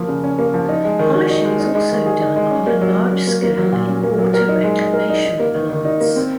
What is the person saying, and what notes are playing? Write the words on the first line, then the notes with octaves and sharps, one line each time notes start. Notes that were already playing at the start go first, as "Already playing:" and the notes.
Polishing is also done on a large scale in water reclamation plants.
Already playing: F3 A#3
C#3
C#4
A#3
F3
D#4
G#3
D#3
F#4
D#4
G#3
D#4
G#3
D#3
G#4
D#4
G#3
C#4
A#3
F#3
F#3
C#4
A#3
A#3
F#3
A#2
C#4
A#3
F#3
A#4
D#4
G#3
D#5
A#4
D#4
D#4
A#3
D#3
D#3
D#4
A#3
C4